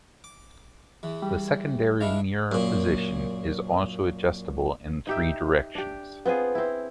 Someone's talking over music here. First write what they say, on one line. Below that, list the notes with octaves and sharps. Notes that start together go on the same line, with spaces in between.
The secondary mirror position is also adjustable in three directions.
D6
E2 E3
G3
G#3 D4 E4 F5
F#2 A#2
D#4 G4 E5
D4 G4
B3 C4 F4 G#4
C4 E4